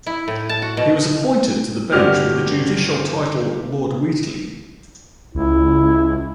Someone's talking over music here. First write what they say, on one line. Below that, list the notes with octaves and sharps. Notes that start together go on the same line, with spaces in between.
He was appointed to the bench, with the judicial title Lord Wheatley.
E4
A2
A5
F#4
B2
G1 F#4 G4 D5 F6
C#2 E4